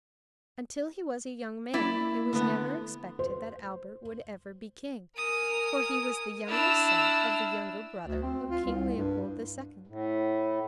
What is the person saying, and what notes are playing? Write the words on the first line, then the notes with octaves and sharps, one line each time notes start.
Until he was a young man it was never expected that Albert would ever be King, for he was the younger son of the younger brother of King Leopold the Second.
A#3 E4 D5 E5
D3 A3 B3
C5
A#4 G#5 D#6
D4 E4 E6 F6
D2
C4
F4
C2
G2
A2